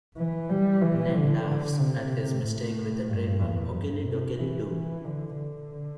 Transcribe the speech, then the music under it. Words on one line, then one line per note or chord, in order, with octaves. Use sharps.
Ned laughs at his mistake with a trademark okely dokely do!
E3
G3
E3
D3
C3
A2
G2
E2
G2
C3
E3
E3
D3
D3